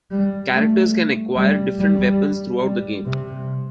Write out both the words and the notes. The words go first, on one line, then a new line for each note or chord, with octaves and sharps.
Characters can acquire different weapons throughout the game.
G3
A3
G3
G3
G3
C3